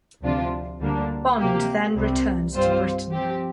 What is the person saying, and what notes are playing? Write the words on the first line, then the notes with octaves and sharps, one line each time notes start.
Bond then returns to Britain.
D2 C3 F3 D4 F4
D2 D3 G3 A#3 D4
C3 A#3 G4
C2 C3 G3 C4
G2 G3 C4 F4 C5
F3 C4 G4